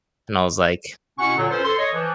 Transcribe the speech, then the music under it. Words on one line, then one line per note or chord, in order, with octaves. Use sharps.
and I was like
B2 C#4 E4 F#5 C#6
A#2 D3 F#3
C#4 F4 A4 B4 C5
A4 C6
C#5 D#5
E3 F3